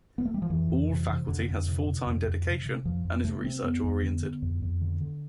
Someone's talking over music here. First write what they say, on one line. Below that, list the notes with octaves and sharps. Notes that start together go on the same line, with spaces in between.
All faculty has full-time dedication and is research oriented.
B3
A3
G3
F3
F2 E3
F2
C3
C3
F2 D3
F2
C3
C3
F2
F2
C3
C3
F2 F3
F2
C3 A3
C3 C4
F2 B3
F2
D3
D3
F2
F2
D3
D3